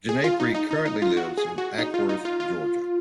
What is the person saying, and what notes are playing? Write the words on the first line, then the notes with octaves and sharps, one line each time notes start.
Ginepri currently lives in Acworth, Georgia.
G#4
F4
D#4
D#4
D#4
D#4
F4
F#4
G#4
F#4
D#4
F4
D#4
F4
F4